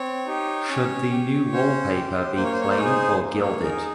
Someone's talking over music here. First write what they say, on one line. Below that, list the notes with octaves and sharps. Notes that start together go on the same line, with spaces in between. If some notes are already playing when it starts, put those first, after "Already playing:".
Should the new wall-paper be plain or gilded?
Already playing: C4 C#5
D#4 G4
C#4
G4
C#4 C5
G4
A#3 C5
C#5
C5
C#5
C5
D#4 G#4 C#5
C5
A#3
C#5
D#4 G#4 A#4